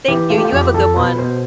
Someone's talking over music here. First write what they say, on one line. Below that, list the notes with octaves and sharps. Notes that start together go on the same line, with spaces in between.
Thank you. You have a good one.
E3 G4
A3 F4
G4
F4
F2 G4
F2 A4
B2 B4
B2 C5